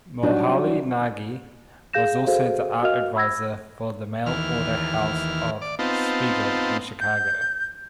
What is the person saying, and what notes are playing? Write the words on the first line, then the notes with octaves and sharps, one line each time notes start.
Moholy-Nagy was also the Art Advisor for the mail-order house of Spiegel in Chicago.
F#3 G3 D4 D#4 F#4
G#4 F5 G6 A#6 E7
F#4 G#4 A4 C5 F5
F#4 A#4 D#5 F5 F6 F7
B5 E6 G#6 A#6
D#2 E3 F6
D5
B3 C4 D#4 F4 A5
G6